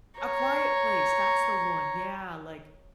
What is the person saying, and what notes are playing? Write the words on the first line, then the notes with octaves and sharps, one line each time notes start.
A Quiet Place, that's the one, yeah, like,
C#5 A#5